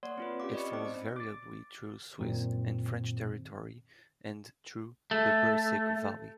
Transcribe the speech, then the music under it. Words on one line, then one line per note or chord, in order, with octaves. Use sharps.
It flows variably through Swiss and French territory and through the Birsig Valley.
A#3 C#5 D5 F#5 C6
C4 F4 B4
C#4 G4 F5 D6
D5 D#5 B5 C#6 C#7
B3 C4 D#4 C5 D6
D6 A6
F#2 A#2 D#3 C4
A3